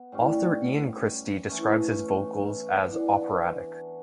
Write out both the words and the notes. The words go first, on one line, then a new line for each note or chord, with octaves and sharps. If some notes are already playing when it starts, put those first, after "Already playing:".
Author Ian Christe describes his vocals as operatic.
Already playing: B3
A2 G3 C#4
E3 A3 C#4
E3 B3 D4